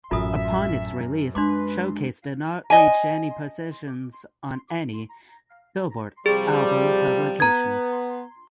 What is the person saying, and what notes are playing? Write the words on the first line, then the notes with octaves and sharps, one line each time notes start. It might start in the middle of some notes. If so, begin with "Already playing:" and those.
Upon its release "Showcase" did not reach positions on any "Billboard" album publications.
A1 F#2 F4 A4 E5 D#6
G#3 D4 B4 C6 D6
D#5 G#5
C3 F3 G3 G#4
B3 A#5 G#6